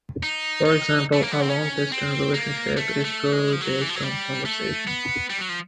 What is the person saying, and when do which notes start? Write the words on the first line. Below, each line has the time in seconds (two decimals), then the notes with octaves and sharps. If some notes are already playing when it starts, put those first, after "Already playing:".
For example, a long-distance relationship is purely based on conversation.
0.23 D#4
0.65 D#4
1.13 A3
1.22 A#3
1.32 B3
1.40 C4
1.50 C#4
1.92 C4
2.34 A#3
2.77 A3
3.04 A3
3.33 G#3
3.53 F3
3.61 F#3
3.82 E3
3.89 F3
3.96 F#3
4.03 G3
4.45 A3
4.87 B3
5.30 G3
5.40 F#3
5.49 F3